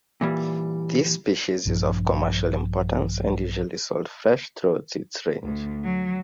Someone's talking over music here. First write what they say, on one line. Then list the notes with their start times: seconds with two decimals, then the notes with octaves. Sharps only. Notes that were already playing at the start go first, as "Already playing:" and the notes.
This species is of commercial importance and usually sold fresh throughout its range.
0.21 A#2 E3 G3
1.66 A#1 G2 F3
5.43 D2
5.84 F#3